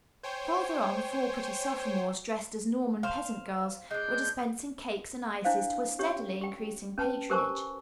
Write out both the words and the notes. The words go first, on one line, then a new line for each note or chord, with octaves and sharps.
Farther on four pretty sophomores, dressed as Norman peasant girls, were dispensing cakes and ices to a steadily increasing patronage.
C5 C#5 G5 G#5
C5 F5
G#3 D4 G6
D4 E4 C5 F5
C#4 G4 C#5
G4 G5
C#4 B4 A5
G4 A#4 C5 G#5 A5 C#6